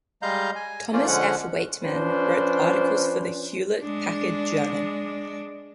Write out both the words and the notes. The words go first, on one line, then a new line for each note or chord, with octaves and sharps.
Thomas F. Waitman wrote articles for the "Hewlett-Packard Journal".
G3 G#3 D#5 F5 A#5 G6
G#5
F3 A3 A#3 C#4 F4 D5
D3 F3 G#3 C#4 F#5
F3 C#4 D4 B4 C5
G#3 D4